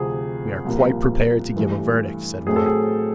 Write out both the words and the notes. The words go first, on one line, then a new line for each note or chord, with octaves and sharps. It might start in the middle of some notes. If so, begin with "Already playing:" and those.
"And we are quite prepared to give a verdict," said one.
Already playing: D2 C3 F3 G#4
C2 A#2 F3 A#3
G2 E3 A3
A2 F#3 A3 C4 G#4
A4
G#4